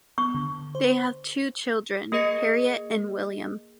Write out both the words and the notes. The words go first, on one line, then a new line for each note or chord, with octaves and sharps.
They have two children: Harriet and William.
B3 C#6
D3
C5
A#3 G#4 A#4 D#5 A#6 C#7